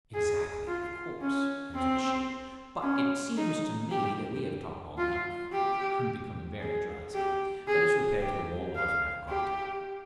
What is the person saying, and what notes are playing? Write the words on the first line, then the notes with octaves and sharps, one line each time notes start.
"Exactly, of course," answered the shade; "but it seems to me that we have talked long enough; I am becoming very dry, so let us repair to the Waldorf and have a cocktail."
G#4
F4
C#4
C4
C#4
D#4
G4
F4
G4
G#4
G4
G#4
G4
F5
G4